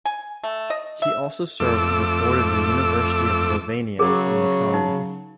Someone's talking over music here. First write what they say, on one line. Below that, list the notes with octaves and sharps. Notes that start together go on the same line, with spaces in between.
He also served on the board of the University of Lovanium in the Congo.
G#5
A3
D#5
E5
F2 A3 D6 E6
C#3 F#3 G#4 A#4
D#4